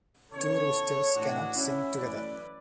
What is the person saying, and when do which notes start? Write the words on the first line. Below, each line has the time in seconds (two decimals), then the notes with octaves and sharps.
Two roosters cannot sing together.
0.32 C#3 E3 B3 A4 C#5
1.13 A2 E3 G#3 D4 F#4
1.55 C#4 E4
1.95 F#2 E3 A3 C#4 B4 D5